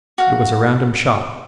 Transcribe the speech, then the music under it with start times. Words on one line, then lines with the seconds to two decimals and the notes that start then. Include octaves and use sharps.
It was a random shot.
0.18 F#4 F5